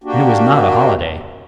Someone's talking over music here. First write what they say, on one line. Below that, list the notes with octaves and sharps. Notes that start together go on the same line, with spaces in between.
And it was not a holiday.
A#3 D4 F#4 G4